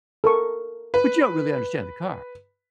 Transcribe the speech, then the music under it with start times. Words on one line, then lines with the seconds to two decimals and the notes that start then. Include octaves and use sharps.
but you don't really understand the car,"
0.24 A4 A#4 C#6
0.94 B4